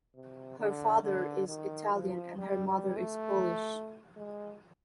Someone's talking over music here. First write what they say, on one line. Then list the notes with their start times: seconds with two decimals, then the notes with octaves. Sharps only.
Her father is Italian and her mother is Polish.
0.15 C3
0.59 D3
1.04 D3
1.48 D#3
1.94 F3
2.38 G3
2.68 G3
2.97 A3
4.17 G#3